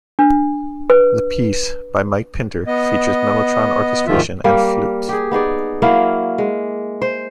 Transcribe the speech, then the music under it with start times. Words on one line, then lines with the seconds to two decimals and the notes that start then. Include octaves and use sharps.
The piece, by Mike Pinder, features mellotron orchestration and flute.
0.19 D4
0.90 B4
2.67 B3 D#5
4.07 D2 G#2 D#3 F3 F4 E5
4.44 G3 A#3 A#4
5.09 G4 G#4
5.31 B3 D#4 G#4 D5
5.82 F#3 A#3 E4 F5
6.38 G#3
7.02 C5